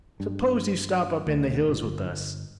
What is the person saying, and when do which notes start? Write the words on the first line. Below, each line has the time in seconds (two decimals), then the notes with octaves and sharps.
S'pose you stop up in the hills with us.
0.20 G2
1.27 D2
1.68 G1